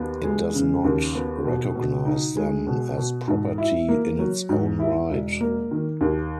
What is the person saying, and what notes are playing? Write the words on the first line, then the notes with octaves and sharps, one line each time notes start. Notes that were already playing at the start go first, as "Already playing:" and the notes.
It does not recognize them as property in its own right.
Already playing: D#2 B3
G#3
C#3
D#2
B3
B2
B2
D#4
G#3
B2
B2
G#2
E4
A#3
F#3
G#2
E4
E1
A#3
D#3
D#2